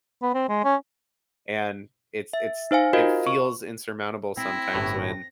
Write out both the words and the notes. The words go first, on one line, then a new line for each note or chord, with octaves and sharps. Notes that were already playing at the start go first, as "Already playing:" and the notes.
and it's it's it feels insurmountable sometimes when,
B3
C4
G#3
C#4
E5
D#4 C5 F5 G#5
F4 F#4 A#4 C5 D#5 F5
C#6
C4 E4 A#6
G1 A2 F#3